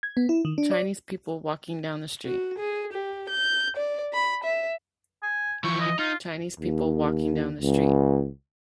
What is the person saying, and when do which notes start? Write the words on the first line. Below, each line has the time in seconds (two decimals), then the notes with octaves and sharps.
Chinese people walking down a street.
0.03 G#6
0.17 B3
0.29 E4
0.45 D#3
0.58 D4
0.71 D5
2.25 F#4
2.58 G#4
2.93 G4
3.29 G6
3.76 D5
4.13 B5
4.44 E5
5.23 G#5
5.64 E3 F3 C#6
5.80 D#5
5.99 D#4 F4
6.60 D#2
7.61 C#2